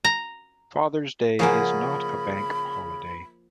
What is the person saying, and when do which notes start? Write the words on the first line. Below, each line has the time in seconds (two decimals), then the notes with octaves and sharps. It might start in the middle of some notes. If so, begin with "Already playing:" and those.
Father's Day is not a bank holiday.
0.04 A#5
1.39 C#3 F3 A#3 F#4 A#4 G#5 B5